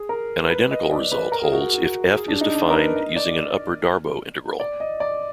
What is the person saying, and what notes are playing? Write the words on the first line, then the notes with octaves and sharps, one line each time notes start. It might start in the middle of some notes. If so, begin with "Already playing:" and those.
An identical result holds if "F" is defined using an upper Darboux integral.
Already playing: G#4
A#4
B4
D#5
D5
B4
A#4
G#4
F#4
F#4
G#4
D4
D#4
D4
A#4
B4
D#5
D5
D5
D#5
D5